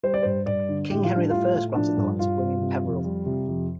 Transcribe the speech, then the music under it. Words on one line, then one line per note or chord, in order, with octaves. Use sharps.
King Henry the First granted the land to William Peveril.
G3 C5
D5
G2 C5
G2 D5
D3
A2 G4
F4
G3 D4
A2 F4
A2
F3 D4
G2
G2 F4
G2
C3
F2
G3
C3
F2